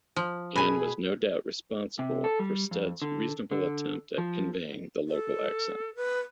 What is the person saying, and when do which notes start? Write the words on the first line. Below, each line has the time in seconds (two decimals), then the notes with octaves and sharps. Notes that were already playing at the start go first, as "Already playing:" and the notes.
Anne was no doubt responsible for Stead's reasonable attempt at conveying the local accent.
0.16 F3
0.56 B2 G#4 G#5 B5
1.99 C3
2.24 A4
2.39 G3
2.71 F2
3.02 D3
3.51 D3
4.18 F3
5.08 A4
5.96 B4